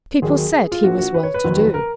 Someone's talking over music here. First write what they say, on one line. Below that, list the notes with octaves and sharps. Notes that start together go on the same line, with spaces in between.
People said he was well-to-do.
D#2 D#3 F#3 G#4
F4
A#1 A#2 F3 F#4
F#4
B4
C#5
B4
F1 D#2 D#3 F#3
A#4